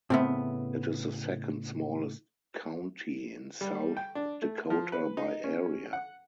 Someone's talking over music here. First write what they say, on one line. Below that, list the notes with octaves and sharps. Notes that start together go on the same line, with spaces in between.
It is the second-smallest county in South Dakota by area.
A2 C#3 B3 C4 E5
G3
G5
D4
A3
F3
B4
D#4
C#4
F#5